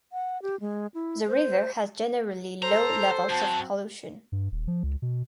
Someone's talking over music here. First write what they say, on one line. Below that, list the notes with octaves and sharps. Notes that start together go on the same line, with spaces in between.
The river has generally low levels of pollution.
F#5
G4
G#3
E4
C5
A4 C5 A#5
F#2 C4 F#4 A5
G2
D#1
F3
C#2
B2